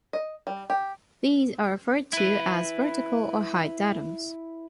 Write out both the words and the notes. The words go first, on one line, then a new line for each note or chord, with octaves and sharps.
These are referred to as "vertical" or "height datums".
D#5
G3
G4
E4 B4